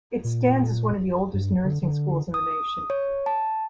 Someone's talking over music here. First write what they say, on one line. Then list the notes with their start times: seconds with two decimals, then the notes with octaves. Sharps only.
It stands as one of the oldest nursing schools in the nation.
0.24 A#2
1.34 G2
1.65 D3
1.82 D3
2.34 D#6
2.90 C#5
3.26 A5